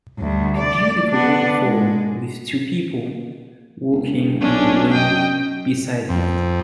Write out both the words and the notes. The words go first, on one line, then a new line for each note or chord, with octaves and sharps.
A beautiful waterfall with two people walking on the road beside it.
D2 G3
D5
B3 D4
G#3
E1
B1 C#4 D4
F#2 D#5 G5
F2